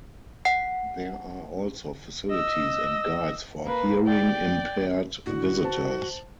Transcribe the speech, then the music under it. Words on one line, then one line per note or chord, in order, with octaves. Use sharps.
There are also facilities and guides for hearing impaired visitors.
F#5 C7
D#5 E6
A#3 B4
D5 G5
A2 D3 F#4
C5 A5